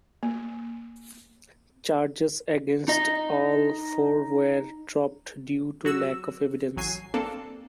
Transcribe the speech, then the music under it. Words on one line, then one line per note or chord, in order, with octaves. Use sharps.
Charges against all four were dropped due to lack of evidence.
A#3
D#4 D#5
F#3 F#4 E6
A1 F#3 G#5 C7
A#3 C4 D4 A4